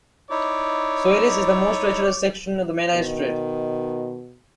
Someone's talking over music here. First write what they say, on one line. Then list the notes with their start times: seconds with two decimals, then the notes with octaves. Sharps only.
Swellies is the most treacherous section of the Menai Strait.
0.30 D#4 E4 C#5 D5
2.94 B2 D#3